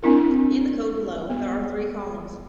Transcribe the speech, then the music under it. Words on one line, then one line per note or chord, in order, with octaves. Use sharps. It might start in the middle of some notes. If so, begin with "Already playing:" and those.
In the code below, there are three columns.
C4 D4 E4 A#4
B3